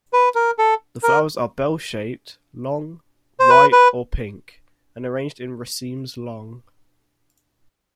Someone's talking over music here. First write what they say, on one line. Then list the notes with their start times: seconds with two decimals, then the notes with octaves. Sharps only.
The flowers are bell-shaped, long, white or pink, and arranged in racemes long.
0.13 B4
0.35 A#4
0.58 A4
1.03 A#4
3.40 C5
3.50 B4
3.72 B4